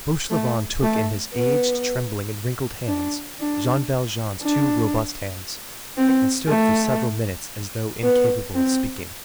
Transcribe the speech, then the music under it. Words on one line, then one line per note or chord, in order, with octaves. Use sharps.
Fauchelevent took in his aged, trembling, and wrinkled hands Jean Valjean's two robust hands, and stood for several minutes as though incapable of speaking.
A3
A3
B3
D4
D4
D4
C4
A3
B3
C4